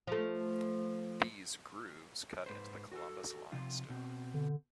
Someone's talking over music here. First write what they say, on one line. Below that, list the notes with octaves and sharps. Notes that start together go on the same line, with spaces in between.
These grooves cut into the Columbus Limestone.
F3 A3
G#2 B4 C5
F#4 A4
C3 F3 F4
B2 C4
D3